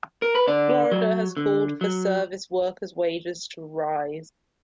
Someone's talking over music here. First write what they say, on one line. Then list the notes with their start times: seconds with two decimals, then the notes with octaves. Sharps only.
Florida has called for service workers' wages to rise.
0.22 A#4
0.35 B4
0.48 D3 D5
0.92 F#3
1.37 D3
1.81 F#3